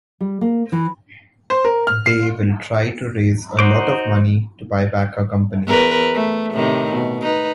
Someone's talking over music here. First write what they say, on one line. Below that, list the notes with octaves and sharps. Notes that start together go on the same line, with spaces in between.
They will to try to raise a lot of money to buy back a company.
G3
A#3
E3
C5
A#4
F6
C7
D#4 F#4 C5 D6
E2 A#4 B4
A3
A2 C3 D#3
B2
D#4 B4